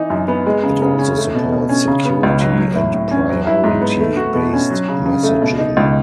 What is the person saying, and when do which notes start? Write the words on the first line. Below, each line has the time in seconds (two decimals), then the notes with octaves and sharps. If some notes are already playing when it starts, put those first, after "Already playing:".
It also supports security and priority based messaging.
Already playing: E3 D#4
0.10 F#2
0.28 B3
0.46 G#3
0.63 C#3
0.82 C#3
0.99 C#4
1.17 A3
1.35 B2
1.52 B2
1.69 C#4
1.88 C#3
2.05 B3
2.23 C#2
2.40 F#3
2.58 F#3
2.75 A2
2.94 A2
3.11 C#4
3.30 F#3
3.47 E4
3.64 G#2
3.81 B3
4.00 A3
4.17 F#4
4.35 B2
4.53 C#4
4.71 F#3
4.89 C#3
5.06 C#3
5.23 A3
5.42 B2
5.59 D#4
5.77 C#2